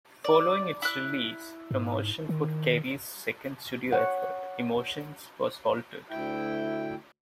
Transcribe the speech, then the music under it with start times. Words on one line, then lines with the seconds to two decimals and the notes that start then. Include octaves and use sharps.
Following its release, promotion for Carey's second studio effort "Emotions" was halted.
0.24 D5
0.82 E4 F#6
1.71 G#2
2.29 D#3
3.92 C#5 F#5
6.10 D2 E4 G5